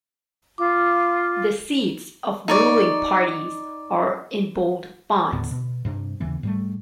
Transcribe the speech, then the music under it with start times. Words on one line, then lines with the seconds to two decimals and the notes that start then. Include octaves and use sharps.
The seats of ruling parties are in bold fonts.
0.58 F4 D6
2.48 D#4 C#5 D5
5.32 D#2 A2 D3 B3
5.51 B2
5.85 G2 C3 D4
6.20 D#2 C#3 E3 B3
6.43 G#2 G3 A3